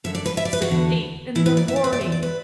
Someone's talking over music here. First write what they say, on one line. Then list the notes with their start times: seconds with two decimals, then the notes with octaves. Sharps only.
Six and eight in the morning!
0.04 F#2 D3 E5
0.15 D5
0.26 B4
0.37 E5
0.45 D5
0.53 B4
0.62 F#4
0.70 E2 D3
1.35 A2 E3 E4
1.46 B4
1.57 D5
1.68 E5
1.76 D5
1.84 B4
1.93 D5
2.01 B2 E5
2.04 E2
2.12 D5
2.23 B4